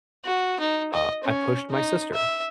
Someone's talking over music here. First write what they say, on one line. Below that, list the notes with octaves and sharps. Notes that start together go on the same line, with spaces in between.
uh, I pushed my sister,
F#4
D#4
D#5
C#4
D#4
E5